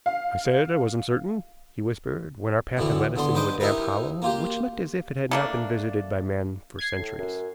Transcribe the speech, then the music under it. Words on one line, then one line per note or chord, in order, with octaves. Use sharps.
"I said I wasn't certain," he whispered when our path had led us into a damp hollow which looked as if it had not been visited by man for centuries.
F5
D2 A2 D3 E3 B3
G2 D3 B3 C6
G2 D4 B4 C5 D#5 D6
D#4 E4 G4 A#4 B4
A#3 F4 G4
A3 A#3 D4
G#6 C7
A2
F#2